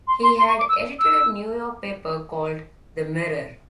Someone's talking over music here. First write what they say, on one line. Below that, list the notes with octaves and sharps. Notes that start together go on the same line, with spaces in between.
He had edited a New York paper called "The Mirror".
C6
C6
C6
C#6
D6
E6
E6